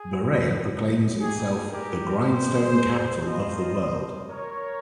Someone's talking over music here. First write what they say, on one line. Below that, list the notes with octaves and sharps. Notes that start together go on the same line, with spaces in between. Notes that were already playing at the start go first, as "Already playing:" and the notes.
Berea proclaims itself "The Grindstone Capital of the World".
Already playing: G#4
A#3 D#4 G4 G#4
G4 A#4
G#4 C5
A#3 C#4 F4 C5 D#5
A#4 C#5